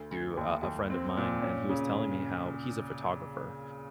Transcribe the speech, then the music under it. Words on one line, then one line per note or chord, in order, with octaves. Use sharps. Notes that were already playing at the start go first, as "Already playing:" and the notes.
to a a friend of mine, and he was telling me how he's a photographer
Already playing: D2
D2
D#2
D#2
C4
A#2
C#4
C#3